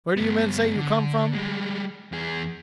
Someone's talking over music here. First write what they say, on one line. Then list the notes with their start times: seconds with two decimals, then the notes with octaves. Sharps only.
"Where do you men say you come from!"
0.17 G2 B3
0.76 D3
1.33 G3 G#3
2.12 E2 G#4